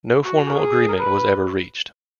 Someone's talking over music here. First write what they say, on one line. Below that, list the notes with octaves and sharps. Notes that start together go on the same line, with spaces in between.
No formal agreement was ever reached.
F#4
A#4
G#4
A#4
B4